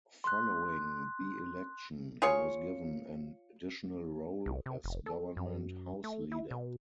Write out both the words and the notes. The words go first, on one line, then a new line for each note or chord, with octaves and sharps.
Following the election, he was given an additional role as Government House Leader.
C6 F#6
F4 G#4 C#5
C2
C3
F1
A4
F#2
A3
E4
B2